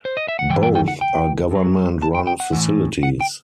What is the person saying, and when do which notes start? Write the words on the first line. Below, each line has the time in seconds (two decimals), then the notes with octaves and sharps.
Both are government run facilities.
0.05 C5
0.17 D#5
0.28 E5
0.39 F#5
0.50 G2 E3 G5
0.63 G5
0.75 G5
0.88 F#5
1.01 G5
1.51 F#2 F#3
2.02 A5
2.15 G5
2.27 G5
2.40 F#5
2.53 A2 E3
3.03 F#5
3.21 G5